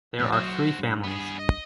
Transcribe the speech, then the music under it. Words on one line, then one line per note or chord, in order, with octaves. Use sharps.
There are three families.
F2 A2
F#3 F#4 C5
G2
B3 G#4
D#5